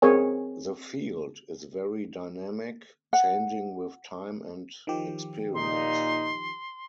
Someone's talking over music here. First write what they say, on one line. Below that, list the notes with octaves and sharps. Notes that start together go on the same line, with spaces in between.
The "field" is very dynamic, changing with time and experience.
C4 G#4 A#4 C#5 G#5
F#5
D#3 F3 G4
A#2 D#4 C6